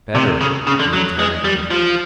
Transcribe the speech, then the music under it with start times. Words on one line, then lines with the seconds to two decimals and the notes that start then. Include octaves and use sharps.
"Better?" he interrogated.
0.15 C3
0.41 C#3
0.67 C#3
0.80 D3
0.93 F#3
1.19 G#3
1.44 G3
1.71 F3